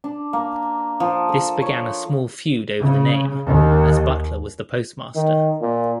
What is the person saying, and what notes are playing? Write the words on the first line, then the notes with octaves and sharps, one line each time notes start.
This began a small feud over the name, as Butler was the postmaster.
D4
A#3
F3
A4
C#5
C#3
D#2
D#3
A#2